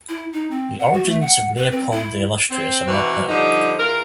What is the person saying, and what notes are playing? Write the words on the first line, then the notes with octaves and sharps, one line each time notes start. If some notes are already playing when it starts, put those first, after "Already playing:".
The origins of Leopold the Illustrious are not known.
E4
D#4
C4
F#5
F#4
A3
F#5
B4
C4
E4
C4
B2 D#3 E3 C4 F#4
D3 F3 G3 D#4
E2 F4 A#4